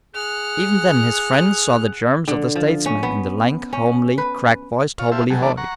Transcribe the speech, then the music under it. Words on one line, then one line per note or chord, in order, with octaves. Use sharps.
Even then his friends saw the germs of the statesman in the lank, homely, crack-voiced hobbledehoy.
G#4 F#5 F6 F#6
D3
F3
C#4
B3
C#4
B4
F4 C#5 F5
E4 G4 A4 C5 E5 F5
F#3 G3 G#4 A4
E3 A3 B3 D4 A4 D5
F#5 A#5 C#6